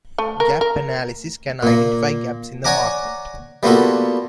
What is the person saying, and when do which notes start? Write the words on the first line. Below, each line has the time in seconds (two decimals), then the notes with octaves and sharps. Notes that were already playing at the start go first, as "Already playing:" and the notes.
Gap analysis can identify gaps in the market.
0.18 A3
0.40 A#4
0.61 A#4
1.63 A#2 A#3
2.64 C#5 D5 F#5 G#5 A#5 D6
3.63 G3 A#3 B3 F4 F#4 A4